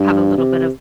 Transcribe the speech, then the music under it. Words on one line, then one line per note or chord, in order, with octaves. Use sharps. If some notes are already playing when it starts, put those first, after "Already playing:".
Have a little bit of
Already playing: G2
C3